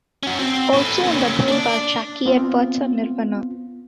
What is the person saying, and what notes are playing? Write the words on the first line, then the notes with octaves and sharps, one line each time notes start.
Also on the bill were Jackie Edwards and Nirvana.
C#4 F#4
C4
A2 B4
A#3 C#4
D4 D5
B3 C4 F4